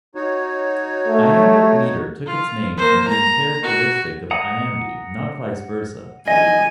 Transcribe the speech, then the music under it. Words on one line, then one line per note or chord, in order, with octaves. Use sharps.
Iambic metre took its name from being characteristic of "iambi", not vice versa.
D#4 F#4 C#5
A3
F4
A#3 C5
A#5
F#4
F#5 A#5 D#6
D#5 G#5